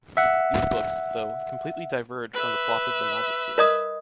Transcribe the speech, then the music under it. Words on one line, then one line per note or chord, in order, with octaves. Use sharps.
These books, though, completely diverge from the plot of the novel series.
E5 F#5
B4 E5
A#4 D#5 D#6